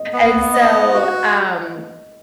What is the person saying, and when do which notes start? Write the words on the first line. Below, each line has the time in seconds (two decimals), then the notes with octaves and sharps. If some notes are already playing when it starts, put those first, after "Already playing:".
And so, um,
Already playing: D#5
0.13 B3
0.53 D#5
0.94 F#4